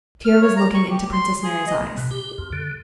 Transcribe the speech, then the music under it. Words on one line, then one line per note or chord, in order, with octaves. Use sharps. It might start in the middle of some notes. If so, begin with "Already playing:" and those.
Pierre was looking into Princess Mary's eyes.
F6
C#5
A#5
C#6
G4
C6
G#4
D#5
B2
G4
F2
D3